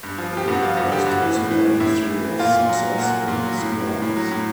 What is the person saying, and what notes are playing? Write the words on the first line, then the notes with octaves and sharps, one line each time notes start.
Hillcrest has a long history of success in sports.
G2
F3
F3 G4
G2 F#4
F3 F4
G2 F#4
D3 G4
G2 F#4
E3
A2
E3
A2
A2 E4
A2
E3
E3
A#2 F4
A#2
F#3
F#3
A#2 F#4
F#3
A#2
F#3
A2
A2
A2
A2
F#3
A2